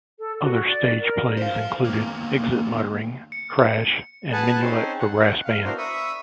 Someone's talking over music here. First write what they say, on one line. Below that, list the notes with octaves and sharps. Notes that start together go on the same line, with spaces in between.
Other stage plays included "Exit Muttering", "Crash", and "Minuet for Brass Band".
A4
F#4
D5
A#4
C5 F5
E2 A#3
C#7
G#4 B4 F#5 G#5 A5
C4 C#4 D#4 G#4 C5
F#5
F5
B3 D4 E4 F#4 A#4 C5
E5 B5 C#6 D#6